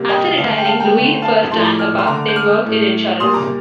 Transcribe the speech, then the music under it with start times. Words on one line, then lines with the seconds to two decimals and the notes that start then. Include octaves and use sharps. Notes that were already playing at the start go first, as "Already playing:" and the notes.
After retiring, Lewis first ran a pub, then worked in insurance.
Already playing: C3 G3 A#3
0.09 D#5 G5
0.37 D3 A3 D5 F5
0.58 G5
0.66 F5 A5
0.80 G5 A#5
0.94 D3 A3
1.22 F5 A5
1.51 A2 F3 A3 A5 C6
1.65 A#5 D6
1.79 D6 F6
1.98 C6
2.07 D3 A3 A#5 D6
2.28 G6
2.36 D6 F6
2.64 A2 A3
3.20 A#2 G3 A#3 C6 D#6
3.34 A#5 D6